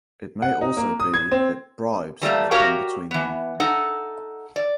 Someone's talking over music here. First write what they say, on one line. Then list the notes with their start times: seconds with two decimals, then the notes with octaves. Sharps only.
It may also be that bribes have come between them.
0.42 F#5
0.61 D#4
0.77 A#3
1.00 D#6
1.14 G#6
1.31 C4
2.22 E3 G3 A3 A#3
2.51 F#4 G4 A#4 C#5 F5 G5
3.11 E3 B3
3.60 D#4 A4 F#5
4.56 D5